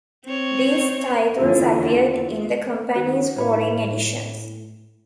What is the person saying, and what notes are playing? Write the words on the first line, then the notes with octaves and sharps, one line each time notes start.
These titles appeared in the company's foreign editions.
C4 C#5
E2 D3 A#3 F4 A4
D#3 F#4
A2 E4 B4 C#5